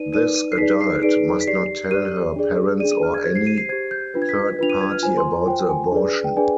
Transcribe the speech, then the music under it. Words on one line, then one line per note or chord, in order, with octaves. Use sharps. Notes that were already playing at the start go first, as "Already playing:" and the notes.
This adult must not tell her parents or any third party about the abortion.
Already playing: D#4 B4 D5 D#7
D#4 B4 D5 D#7
D#7
C7
D#4 G#4 B4 D5 B6
C7
D#4 G#4 B4 D5 D7
B6
G4 D5 C7
G4 D5 D#7
D4 G#4 D5
D4 G#4 D5 D#7
D#7
F6
G#6
G4 C5 G#6
C7
D#7
C7
G4 C5 G#6
G6
D4 F4 B4
G#6
B6
D4 F4 B4 F7
D#7
G#6
F6
F4 C5 G#5
C6
F4 C5 G5
G#5
D4 G#4 B4 D5
G5
D4 G#4 B4 D5 G#5